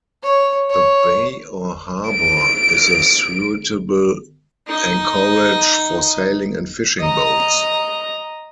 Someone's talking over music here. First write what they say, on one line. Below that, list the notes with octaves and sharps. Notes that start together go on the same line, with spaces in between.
The bay or harbour is a suitable anchorage for sailing and fishing boats.
C#5
C#5
D7
D#4 D#5
D#5 A#5